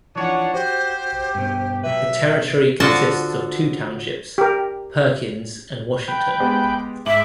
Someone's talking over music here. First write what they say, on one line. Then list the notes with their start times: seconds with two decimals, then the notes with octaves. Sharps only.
The territory consists of two townships, Perkins and Washington.
0.16 E3 F3 D4 D#4 C#5 F#5
0.54 F#4 G4 C5
1.35 G2 B2
1.83 B2 F#3 B4 E5
2.80 D3 F3 F#4 A5
4.38 G4 A#4
6.08 B4 G5
6.40 G#3 B3 G4
7.06 G#2 E5 D6 F#7